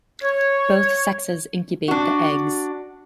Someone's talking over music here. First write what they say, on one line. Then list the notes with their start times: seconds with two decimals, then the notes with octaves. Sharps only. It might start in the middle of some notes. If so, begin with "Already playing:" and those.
Both sexes incubate the eggs.
0.23 C#5
1.88 D4 F#4